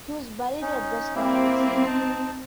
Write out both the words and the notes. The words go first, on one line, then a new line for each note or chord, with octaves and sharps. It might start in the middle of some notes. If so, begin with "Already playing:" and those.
He was buried at West Norwood Cemetery.
C#4 D#4
A#3 C4 E4 G4
D#4 A5